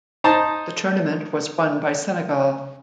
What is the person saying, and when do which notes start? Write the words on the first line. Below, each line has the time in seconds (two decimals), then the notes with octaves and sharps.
The tournament was won by Senegal.
0.24 D#4 C5 A5 A#5